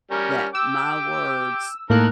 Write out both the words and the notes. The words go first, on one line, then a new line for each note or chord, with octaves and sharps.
that my words
G3 C#4 A#4
G5 D6 E6
A2 D#3 A#3 A4 A#4 F#6